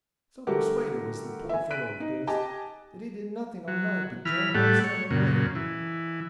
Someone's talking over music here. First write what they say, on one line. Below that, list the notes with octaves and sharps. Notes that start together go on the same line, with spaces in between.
So persuaded was the poor fellow of this, that he did nothing all night but jangle and strum away.
D3 G3 A3 F#4 G4 A#4
E5 G#5
F#6 B6 D7 D#7
D#4
G4 D#5 G#5 A5
F#3
E3 B5 F6
A2 G3 A3 F#5
C#5
F#2 A#2 C#3
E3